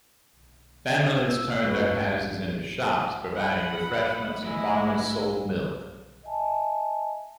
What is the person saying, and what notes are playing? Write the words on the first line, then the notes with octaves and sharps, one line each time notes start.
Families turned their houses into shops providing refreshments and farmers sold milk.
E6
F#2 F#4 B4
F#5 B5
G#3 A3 E4
D#5 E5 G#5 A5